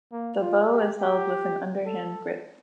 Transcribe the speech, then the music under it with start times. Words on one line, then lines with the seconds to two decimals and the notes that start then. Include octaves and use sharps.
The bow is held with an underhand grip.
0.12 A#3
0.41 F4
0.71 G4
1.00 G4
1.86 A4